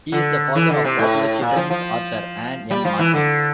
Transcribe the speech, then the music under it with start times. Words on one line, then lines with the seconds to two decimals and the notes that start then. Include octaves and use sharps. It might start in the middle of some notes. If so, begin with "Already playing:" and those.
He is the father of popular children's author Ann M. Martin.
0.12 D3
0.55 E3
0.70 D3
0.84 C3
0.98 A2
1.41 A#2
1.56 F3
1.70 F3
2.71 G3
2.85 F3
2.99 E3
3.14 D3